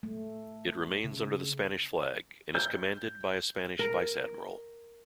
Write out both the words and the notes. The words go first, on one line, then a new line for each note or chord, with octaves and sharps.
It remains under the Spanish flag and is commanded by a Spanish Vice Admiral.
A3
C#3
G6
A#4